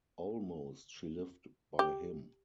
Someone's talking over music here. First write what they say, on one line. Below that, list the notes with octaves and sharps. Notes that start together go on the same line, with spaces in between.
Almost she lived by him.
G4